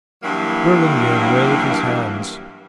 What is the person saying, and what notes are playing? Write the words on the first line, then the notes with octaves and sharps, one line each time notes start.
Burlingame waved his hands.
G2 E3 F#3 A#3